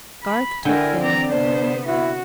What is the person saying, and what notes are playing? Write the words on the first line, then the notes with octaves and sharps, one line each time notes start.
Garth took them.
B5
D3 E4 A#4 G5 G#5
E3 C4 D5 A#5
C3 B3 D4 C5
E4 F#4